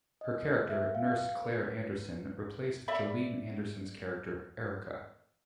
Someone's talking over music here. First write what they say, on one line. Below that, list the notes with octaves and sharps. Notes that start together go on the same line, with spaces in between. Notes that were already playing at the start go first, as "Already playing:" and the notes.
Her character, nurse Claire Anderson, replaced Jolene Anderson's character Erika.
D#5
E5
F5
B4
D5 E5 B5